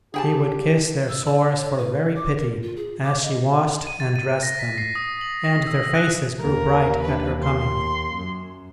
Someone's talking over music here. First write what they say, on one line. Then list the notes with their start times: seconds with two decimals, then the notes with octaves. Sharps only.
She would kiss their sores for very pity as she washed and dressed them, and their faces grew bright at her coming.
0.14 G4 G#4 G5 A5
1.09 E6
1.25 D5
1.56 C#5
1.78 B4
2.16 D6
2.37 A#4
2.62 F4
2.76 G#4
3.04 D6
3.22 D#5
3.87 D#7
4.00 A6
4.16 D#7
4.43 A#6
4.59 B6
4.78 C7
4.95 D#6
5.21 F#7
5.45 A#6
5.67 E6
5.95 F#6
6.40 D#2 A#4
7.02 D4 B4
7.43 C6
8.15 F#2